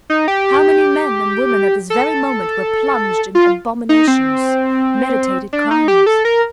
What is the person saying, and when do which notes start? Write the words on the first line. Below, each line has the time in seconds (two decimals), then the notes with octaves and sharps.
How many men and women at this very moment were plunged in abominations--meditated crimes.
0.10 D#4
0.28 G4
1.90 A4
3.35 F4
3.89 D#4
4.08 C4
5.53 D4
5.71 D#4
5.88 G4
6.06 A4
6.25 A#4